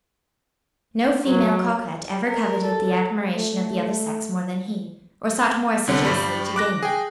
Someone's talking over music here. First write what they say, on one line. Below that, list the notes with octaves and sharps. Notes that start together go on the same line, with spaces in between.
No female coquette ever coveted the admiration of the other sex more than he, or sought more assiduously to gain it.
F#3
A#4
A4
A3
C2 D3 G3
G2 G3
D6 F#6 A#6
G#4 G5